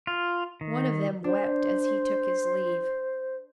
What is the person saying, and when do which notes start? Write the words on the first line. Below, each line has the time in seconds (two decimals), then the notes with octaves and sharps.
One of them wept as he took his leave.
0.07 F4
0.61 D#3
1.24 D4 C5